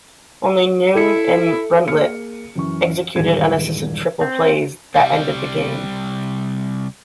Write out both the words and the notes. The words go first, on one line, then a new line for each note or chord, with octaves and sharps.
Only Neun and Bruntlett executed unassisted triple plays that ended the game.
E4 A4 C#7
A#3 G#4 F6 C#7
F#2 E3 C#6
D#1 G#1 G2 E3 G#4 G#6
C4
C2 G3